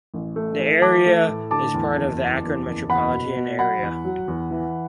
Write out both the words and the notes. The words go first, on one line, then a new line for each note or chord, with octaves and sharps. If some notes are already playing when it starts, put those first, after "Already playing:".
The area is part of the Akron metropolitan area.
A1
A3
E3
E3 A5 D6
A3
A2
D3 A5 D6
E2
F#1
E2
E2
F#1
E2 F#5 B5
B2
B2
F#3 F#5 B5
E2
F#3
E2
E3